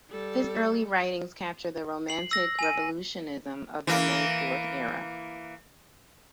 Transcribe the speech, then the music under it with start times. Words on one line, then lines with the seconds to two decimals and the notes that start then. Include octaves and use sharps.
His early writings capture the romantic revolutionism of the May Fourth era.
0.11 G3 A4
2.09 C7 F#7
2.31 E6 A#6
2.59 G#5 D#7
3.87 E3 A#3